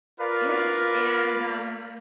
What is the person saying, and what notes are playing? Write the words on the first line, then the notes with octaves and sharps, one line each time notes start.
Yeah, and, um,
F4 A#4 B4 D5 F5